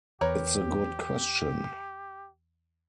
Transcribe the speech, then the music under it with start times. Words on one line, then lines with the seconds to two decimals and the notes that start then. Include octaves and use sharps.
It's a good question.
0.21 E2 G4 A#4 B4 C#5